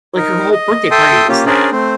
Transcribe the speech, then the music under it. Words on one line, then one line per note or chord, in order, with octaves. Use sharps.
like, her whole birthday party was that.
D#4 A#4
D#5
A4 E5 G5 C6 D#6
A#3 C#4 F4 G4
C#4 D4 G#4 A#4 C5 D5
A3 C4 C5